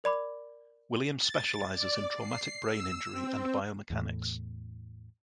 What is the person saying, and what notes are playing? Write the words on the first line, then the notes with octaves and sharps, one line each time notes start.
Williams specializes in traumatic brain injury and biomechanics.
A#4 D5 B5 D6
A6
D5
C7
E6
C4
E2 A2